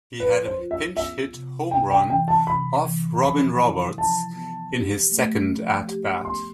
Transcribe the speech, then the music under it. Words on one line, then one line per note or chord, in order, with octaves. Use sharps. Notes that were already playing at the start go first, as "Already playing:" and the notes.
He had a pinch-hit home run off Robin Roberts in his second at bat.
F3 B4
C5
F4
E5
B3 E5
C3
C3 G5
G5
E3 G5
A5
C3 B5
E3
F3 B5
E4
F3 A5
B3
G4
A3
F3
G4
B3 C6